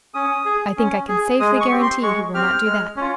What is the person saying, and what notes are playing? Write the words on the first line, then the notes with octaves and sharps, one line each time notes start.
"I think I can safely guarantee he will not do that."
C#4 D#6
G#4
C#4
G#4
G#3 D#6
C#6
C4 G4
C6
G#3 C#6
C4 G4 F6
G#3
C#4 F4